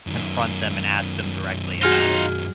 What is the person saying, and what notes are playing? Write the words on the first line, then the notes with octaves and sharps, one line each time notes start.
confront them and ask them directly about it.
F#2 D#3
D#4 F4 F#4 G#4 F6